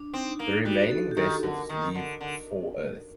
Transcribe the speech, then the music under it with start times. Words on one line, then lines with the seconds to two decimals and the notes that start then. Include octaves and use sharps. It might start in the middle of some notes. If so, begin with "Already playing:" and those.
The remaining vessels leave for Earth.
Already playing: D4
0.14 C4 D#4
0.39 A#3 D#4
0.65 G3 F#4
0.91 A4
1.11 G4
1.17 D#3 A4
1.43 D3 A#4
1.69 D#3
1.95 D3
2.21 D3